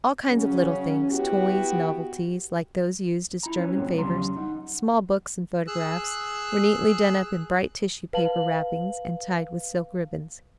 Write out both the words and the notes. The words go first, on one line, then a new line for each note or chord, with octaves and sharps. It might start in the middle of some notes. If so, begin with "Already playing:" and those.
All kinds of little things--toys, novelties, like those used as German favors, small books and photographs, were neatly done up in bright tissue paper wrappings, and tied with silk ribbons.
C#3 F#3 C#4
B3 E4 F#4 G4
E4 A#5
C#4 B4 C#5
E2 G2 A#2 G#3 B3 C4
E2 C#3 F#3 G3 A#5 C6
D#4 F#5
G#4 E6 F#6
B4 F5 A5 F#7